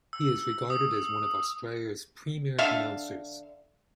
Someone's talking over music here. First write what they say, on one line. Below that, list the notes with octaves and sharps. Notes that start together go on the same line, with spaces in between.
He is regarded as one of Australia's premier announcers.
E6
E6
D#6
E6
D3 E5 F5